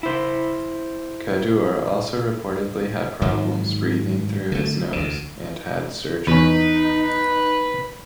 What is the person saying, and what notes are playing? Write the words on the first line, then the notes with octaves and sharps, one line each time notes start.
Kaddour also reportedly had problems breathing through his nose and had surgery.
E4 C5
G#2 D#3 F#3
D3 A3
D2 D3
E2 C#4 D#4 B4